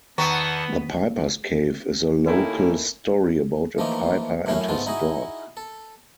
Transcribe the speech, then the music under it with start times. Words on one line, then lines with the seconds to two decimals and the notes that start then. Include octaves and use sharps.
"The Piper's Cave" is a local story about a piper and his dog.
0.18 E2 D#3 B3 F#5 A5 A#5 C#6
2.26 D#3 A3 A#3 C#4 E4
3.78 E3 F3 A3 A#3 D#4
4.46 F#2 A2 A3 C#4 E4 F5
4.68 G#2 G#3 A3 B3 F4
4.86 D#4 E4 F#4 G#4 D#5
5.57 A4